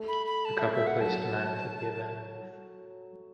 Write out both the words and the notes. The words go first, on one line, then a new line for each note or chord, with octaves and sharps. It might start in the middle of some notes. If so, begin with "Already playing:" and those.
The couple placed ninth at the event.
Already playing: A3
B5
B5
A5
E5
E5
F#5
F#3 A5